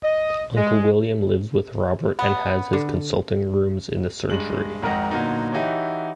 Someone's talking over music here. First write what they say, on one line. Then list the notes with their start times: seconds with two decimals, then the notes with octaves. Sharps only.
Uncle William lives with Robert and has his consulting rooms in the surgery.
0.04 D#5
0.57 G#3
2.19 B3
2.73 D3
4.30 G2 G#3 F#7
4.82 G#1 F2 G#2 A#4 D#5 F#5
5.11 A#2 D3 F#3 A#3 B3 D#4
5.52 E3 D#4 E4 F#4 G4 C#5